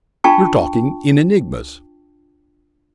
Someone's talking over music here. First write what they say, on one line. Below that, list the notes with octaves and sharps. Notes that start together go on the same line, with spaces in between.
"You're talking in enigmas."
D4 F4 G5 A5 C#6